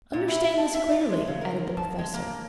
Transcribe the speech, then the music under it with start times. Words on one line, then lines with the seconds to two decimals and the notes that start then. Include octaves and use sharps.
"Understand this clearly," added the Professor.
0.13 A#2
0.28 E4
0.58 A5
0.74 E5
0.91 D5
1.09 G#3
1.27 C#3
1.41 A#4
1.77 A5
1.99 G#3
2.14 A#3